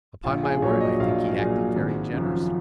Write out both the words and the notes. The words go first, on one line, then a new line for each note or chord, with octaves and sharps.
"Upon my word, I think he acted very generously."
A#1 F4
G#4
A#2 F#3 C#5
D#5
A#1 F5
A#2 F#3 G#4
G#1
F#2 C#3 F3